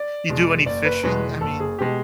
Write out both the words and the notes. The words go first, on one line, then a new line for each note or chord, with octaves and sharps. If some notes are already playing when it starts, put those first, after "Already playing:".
you do any fishing? I mean
Already playing: D5
E2 B2 G#3
F#1 D5
B4
E2 B2 G#3 B4
F#1 A4
G#4
B2 G#3 G4